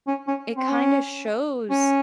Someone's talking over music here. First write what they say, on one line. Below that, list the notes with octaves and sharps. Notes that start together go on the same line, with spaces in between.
it kinda shows
C#4
C#4
C4
C#4
C#4